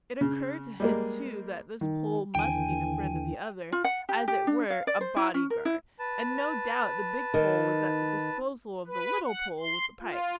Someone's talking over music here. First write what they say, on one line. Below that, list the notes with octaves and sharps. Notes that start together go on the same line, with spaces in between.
It occurred to him, too, that this Pole must be the friend of the other, as it were, a "bodyguard," and no doubt the big Pole was at the disposal of the little Pole with the pipe.
C#3
G3 G#3 A#3
D#3
D#2 D3 E3 G5 G#5
F4
F#5
G4
G4
D4
F5
D5
C5
E4
C#4
A#4
E4
B4 A5
D#3
B4
F#5
C6
F4